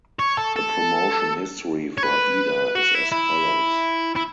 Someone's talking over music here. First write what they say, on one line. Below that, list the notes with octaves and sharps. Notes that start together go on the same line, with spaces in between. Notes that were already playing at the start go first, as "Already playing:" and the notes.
The promotion history for Ida is as follows.
C#5
A4
A4
C#5
B4
F#4
E4
E4
E4